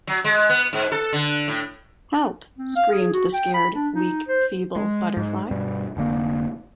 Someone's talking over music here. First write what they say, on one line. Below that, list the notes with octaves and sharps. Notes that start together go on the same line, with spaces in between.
Help! —screamed the scared weak, feeble butterfly.
F#3
G#3
B3
G#2
A4
D3
A2
C4
F5
G#4
F#4
G5
B5
D4
D#4
C5
G#3
G#2
G2 B2 G3
F1 D3 A#3